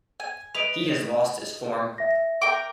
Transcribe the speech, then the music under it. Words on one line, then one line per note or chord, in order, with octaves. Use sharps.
He has lost his form.
G#5
B4 D#5 D7 F7
E5 A#6
A#4 G5 D6